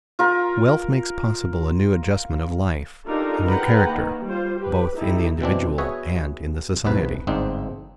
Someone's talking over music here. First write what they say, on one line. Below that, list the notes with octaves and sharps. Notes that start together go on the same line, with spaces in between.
Wealth makes possible a new adjustment of life, a new character, both in the individual and in the society.
F4 A#4
D4 D#4 F4 G4 A4 A#4
G#4 A#4 B4 F#5 G5 A#5
D#3 A#3
G3 F4 C5
G4 B4
D#4 E4 G4 A4
B2 E3 C4 D4
B3 F#4 G#4 C#5 E5
B1 E2 C3 B4
G1 G#2 C4 D4 D#4